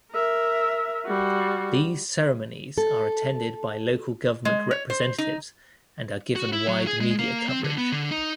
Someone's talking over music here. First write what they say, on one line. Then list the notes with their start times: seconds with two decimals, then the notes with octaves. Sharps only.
These ceremonies are attended by local government representatives and are given wide media coverage.
0.12 A#4 E5
1.06 G3 F#4
2.78 A4
4.45 G#3
4.71 C#5
4.90 C5
5.18 D#4
6.36 F#4
6.53 E4
6.68 F#3
6.87 G#4
7.01 G#3
7.19 A#3
7.49 C4
7.64 D3
7.78 B3
7.92 D3
8.11 D#4